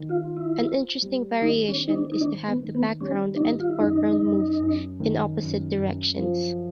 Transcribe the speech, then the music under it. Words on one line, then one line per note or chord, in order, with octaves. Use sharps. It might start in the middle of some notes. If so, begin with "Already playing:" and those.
An interesting variation is to have the background and foreground move in "opposite" directions.
Already playing: D#3
F4
F4
E4
C4
G3
D#3 D#4
C#4
C4
D#4
D4
D#4
D#3 D4
B3
D#3
B3
G3 C#4
D4
D#3 D#4
F4
E4
F#2 D#4
F#2
F#2
D#3
F#2
F#2
F3